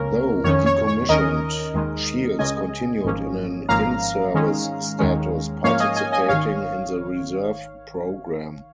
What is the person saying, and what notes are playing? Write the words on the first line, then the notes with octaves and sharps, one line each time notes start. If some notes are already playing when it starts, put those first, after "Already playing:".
Though decommissioned, "Shields" continued in an in-service status, participating in the reserve program.
Already playing: C#2 C#3 A#3 C#4 A#4
F2 D#3 C#4 C#5
C#5
C#5
D#2 D#3 C#4 A#4 D#5
D#2 D#3 G#3
C#2 C#3 G#3 C#4 D#5 G#5
G#1 G#2 F3 A#3 C#4
G#1 G#2 F3 A#3 C#4 F5 A#5
G#2 D#3 G#3 C#4
D#2 D#3 G#3 C#4
G#2 F3 A#3 C#4 C#5 F5
D#5 G#5
D#5 G#5
D#5 G#5
G#1 D#3 C#5 F5